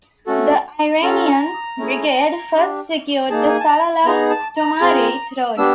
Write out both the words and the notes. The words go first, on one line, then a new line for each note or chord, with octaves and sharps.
The Iranian brigade first secured the Salalah-Thumrait road.
A3 C#4 F#4 A4
C#4 F4 A4 A#5
A3 C#4 E4 G#4
D4 G4
A#3 D#4 G#4 A5
G#5
A5
A#5
B5
B3 D#4 G#4 A#5
A5
A#5
C4 F4 G#4
B3 D4 G4 E6